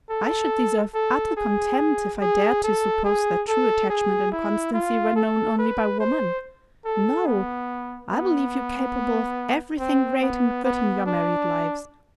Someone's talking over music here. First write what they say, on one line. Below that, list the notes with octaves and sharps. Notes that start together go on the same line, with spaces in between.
I should deserve utter contempt if I dared to suppose that true attachment and constancy were known only by woman. No, I believe you capable of everything great and good in your married lives.
A4
A4
G#4
G#4
A4
G#4
A4
G#4
E4
F4
A4
B4
C5
A4
B3
B3
C4
B3
B3
D4